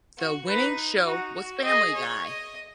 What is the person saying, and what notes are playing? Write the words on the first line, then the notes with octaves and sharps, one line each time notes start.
The winning show was Family Guy.
F#4
D#4 B4
D#4 F#4
F#4
G#4 D#5
C#5
D#5